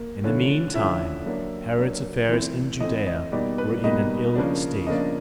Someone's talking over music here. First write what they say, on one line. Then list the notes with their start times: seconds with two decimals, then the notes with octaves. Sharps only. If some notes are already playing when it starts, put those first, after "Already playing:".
In the mean time, Herod's affairs in Judea were in an ill state.
Already playing: A#3
0.24 D3 F3 A3 C#4 E4
0.74 D3 F3 A3 C#4 E4 E5
1.26 F#3 A#3 D4
1.78 F#3 A#3 D4
2.29 E3 A3 C4 E4
2.80 E3 A3 C4 E4 D#5
3.07 D#5
3.32 B2 G3 A#3 D#4 D5
3.58 B4
3.84 B2 G3 A#3 D#4 D#5
4.35 C#3 F3 A#3 D4
4.87 C#3 F3 A#3 D4 D#5